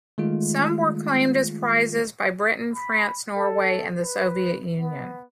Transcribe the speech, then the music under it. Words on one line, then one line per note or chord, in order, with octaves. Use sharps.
Some were claimed as prizes by Britain, France, Norway and the Soviet Union.
D#3 G#3 A3 F4
B5
A4
B4
B3